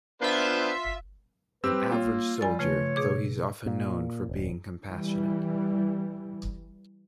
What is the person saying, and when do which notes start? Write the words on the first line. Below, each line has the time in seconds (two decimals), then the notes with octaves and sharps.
An average soldier though he's often known for being compassionate.
0.22 B3 D4 F4 C5 E5
1.64 G3 C4 G4 B4 E6
1.92 A#3 F4 C#5 G5
2.41 F3 G3 G#5 A6
2.59 C#3 A3 B4 C#5
2.96 B2 G#4 D6
3.66 A#2
4.29 D#1
4.89 E3 G3